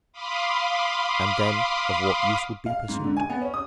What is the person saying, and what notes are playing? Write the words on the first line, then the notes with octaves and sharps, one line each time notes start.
And then of what use would be pursuit?
F5 B5 C6 D6 D#6
F5
G#2
D3
G#5
B3
C#4
D#6